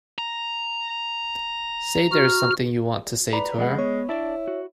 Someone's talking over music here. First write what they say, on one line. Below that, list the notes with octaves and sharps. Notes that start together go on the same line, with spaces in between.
Say there's something you want to say to her.
A#5
F#4 F6
B4 D5 A#5 B5
F2 G#3 B3 F#5
B3 C#5
D4 E4 D5
F#4